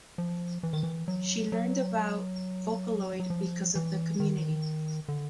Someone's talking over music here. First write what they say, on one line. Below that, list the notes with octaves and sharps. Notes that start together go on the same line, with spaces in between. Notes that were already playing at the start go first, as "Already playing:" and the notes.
She learned about Vocaloid because of the community.
F3
E3
D#3
E3
F#3
F#3
F#3
F3
E3
D#3
D3